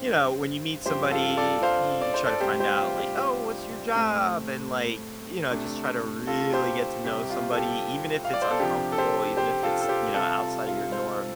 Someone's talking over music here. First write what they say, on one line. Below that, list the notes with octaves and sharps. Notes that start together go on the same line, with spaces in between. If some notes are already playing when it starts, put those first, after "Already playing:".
you know, when you meet somebody, y you try to find out like, "Oh, what's your job?" And, like, you know, just try to really get to know somebody even if it's uncomfortable, even if it's, you know, outside of your norm.
Already playing: G2 D3 F3 C4 G4 C5
G2 F3 C4 G4 C5
F4 A4
A4 D5
C5 F5
D5
C5
A4 D5
D2 C3 G3 G4 C5
G4 C5
F4
G4
G4
A2 A3 C4
C3 A3 D4
F4 A4
G4 C5
C2 C3 G3 C4 G4
F4
A4
G4
F5
D5
C5
A4
C3 F3 D4 G4
A4
G4 C5
G4 C5
F4 A4
A4
G4 C5
C2 C3 G3 F4 A4
F4
F4
C5 F5